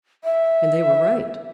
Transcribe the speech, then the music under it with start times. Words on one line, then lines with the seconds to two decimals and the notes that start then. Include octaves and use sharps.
And they were right.
0.24 E5